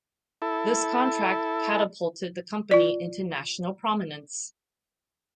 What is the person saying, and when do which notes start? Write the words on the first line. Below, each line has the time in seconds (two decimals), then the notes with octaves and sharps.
This contract catapulted the company into national prominence.
0.42 E4 A4
2.71 F4 D5